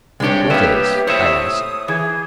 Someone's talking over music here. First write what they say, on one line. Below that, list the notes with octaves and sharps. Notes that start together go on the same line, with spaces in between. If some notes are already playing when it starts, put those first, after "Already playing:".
"What is?" I asked.
C2 G#3 D4 G4 C#5
A#3 B3 G4 B4 C#5 E5
A2 C5 C#5 E5 D#6
E3 G#4